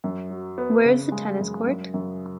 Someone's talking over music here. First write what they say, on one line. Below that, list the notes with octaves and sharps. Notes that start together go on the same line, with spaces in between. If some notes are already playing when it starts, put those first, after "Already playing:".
Where is the tennis court?
F#2
F#3
B3
C#3
G#3
F#2
F#2
F#2